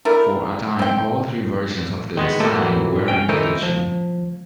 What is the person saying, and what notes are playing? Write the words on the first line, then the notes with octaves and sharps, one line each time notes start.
For a time, all three versions of the design were in production.
A3 D4 E4 A#4
C4 G5
D#3 G#3 B3
A3 A#3 C#4 F#4 G4 A4
A2 E3 F#3 A#3
C2 C#3 C#4 G5
D#3 E3 A3 D#4 A#4 C5
F3